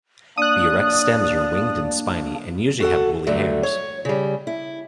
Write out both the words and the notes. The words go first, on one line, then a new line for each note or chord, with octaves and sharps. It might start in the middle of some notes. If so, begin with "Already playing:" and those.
The erect stems are winged and spiny, and usually have woolly hairs.
A#3 D4 D5 D#6 F#6
F#4 A4 F#5
G2 D3 F#3 A3
C#5
C#3 G3
E4